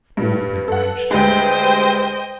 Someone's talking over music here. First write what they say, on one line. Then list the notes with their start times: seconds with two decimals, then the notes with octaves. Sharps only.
All had been arranged.
0.17 G2 B4
0.68 A4 F#5
1.11 D2 G3 G#3 C5 D#5 G5